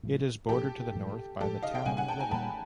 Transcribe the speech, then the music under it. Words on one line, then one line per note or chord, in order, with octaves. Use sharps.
It is bordered to the north by the Tama River.
A2 F3 G#3
A2 F3 G#3 G4 A4
A2 F3 G#3
A2 F3 G#3 G4 A4
D#5 F5
F5 G5
A#2 G3 A#3 F#5 G#5
F#5 G#5
G5 A5
G#5 A#5
A#2 G3 A#3 A5 B5